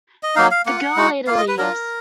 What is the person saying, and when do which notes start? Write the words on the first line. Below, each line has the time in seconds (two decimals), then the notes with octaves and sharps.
The girl later leaves.
0.23 D#5
0.36 F#3 A#3 D#4 F5
0.51 F5
0.66 A#3 F4 F#5
0.96 G#3 D#4 F#4
1.27 A#3 F4 F5
1.38 D#5
1.48 B4
1.57 F#3 D4 F4 A#4